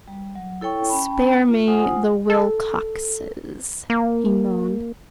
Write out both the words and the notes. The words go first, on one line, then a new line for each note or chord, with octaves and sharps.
"Spare me the Wilcoxes," he moaned.
G3
F#3
E4 A4 C#5 G5 C#6
C#4 G5 A5 B5
F4
F4 C5 F#5 G#5 D#6
A4
A#3